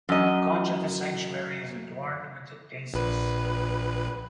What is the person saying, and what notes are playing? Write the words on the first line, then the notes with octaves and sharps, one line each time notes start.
The conch of the sanctuary is adorned with the Deesis.
F#2 D#5
A#1 B4